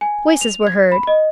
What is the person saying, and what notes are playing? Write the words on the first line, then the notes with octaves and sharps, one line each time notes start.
Voices were heard.
G#5
F7
G#6
B5
D#5